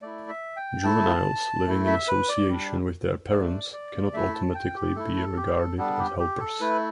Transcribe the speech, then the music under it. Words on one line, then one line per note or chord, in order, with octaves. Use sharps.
Juveniles living in association with their parents cannot automatically be regarded as helpers.
A3 E4 D5
E5
G5
A3 E4 A5
A3 E4
E5
B4
D5
G3 D4
A3 D4 D5
D5
A3 E4 E5
A5
G5
G4
A3 E4 A4
A4
G4
A4
G3 B3 D4 A4
G4
G4
A4
A3 E4 B4